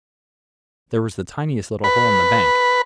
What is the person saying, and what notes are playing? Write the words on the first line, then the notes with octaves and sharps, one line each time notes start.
There was the tiniest little hole in the bank.
B4